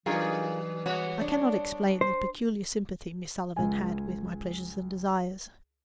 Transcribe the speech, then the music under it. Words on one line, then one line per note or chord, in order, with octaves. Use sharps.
I cannot explain the peculiar sympathy Miss Sullivan had with my pleasures and desires.
E3 F#3 D4 D#4 F4 G#4 A#4
G3 B3 F#4 C#5
D4
C5
C#2 G#5